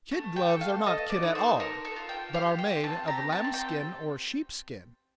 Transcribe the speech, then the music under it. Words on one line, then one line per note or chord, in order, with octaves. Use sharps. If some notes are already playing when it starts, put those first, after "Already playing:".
Kid gloves are not kid at all, but are made of lambskin or sheepskin.
A3
G5
A4
F5
A4 D#5
D5
D#4
C5
A4 A#4
A4
F4
G5
G4 F5
G5
C4
A5
G4 A#5
A5
C4
G5